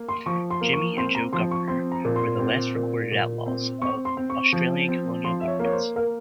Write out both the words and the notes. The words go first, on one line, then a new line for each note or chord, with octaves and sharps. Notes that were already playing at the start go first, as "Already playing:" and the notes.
Jimmy and Joe Governor were the last recorded outlaws of Australian colonial governments.
Already playing: A#3
C6
F3 C#6
C6
A#3
C#6
C4 C6
A#5
F3 C6
C#6
C4 C6
A#5
A#2
C6
C4
A#2
A#2
C4
C4 C#6
C6
C4
C#6
F3
C4
F3 C6
E5
C#5
A#3
C#5
C5
A#3 A#4